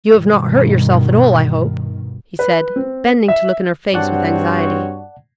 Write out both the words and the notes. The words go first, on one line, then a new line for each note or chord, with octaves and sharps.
"You have not hurt yourself at all, I hope?" he said, bending to look in her face with anxiety.
G2 B2 D#3
B4
C4
E5
G2 C4 F#4 C#5 D5 F#5 A5